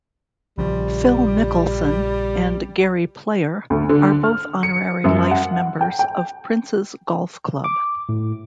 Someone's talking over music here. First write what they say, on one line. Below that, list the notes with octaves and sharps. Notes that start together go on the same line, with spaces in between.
Phil Mickelson and Gary Player are both honorary life members of Prince's Golf Club.
A#1 C#3 F3 G3
D2
D3
F6
C#7
F#2
F#5
G5
G5
D6
A2